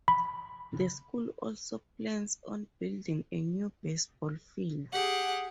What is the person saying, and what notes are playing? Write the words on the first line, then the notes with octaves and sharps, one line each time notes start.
The school also plans on building a new baseball field.
B5
G4 G#4 F#5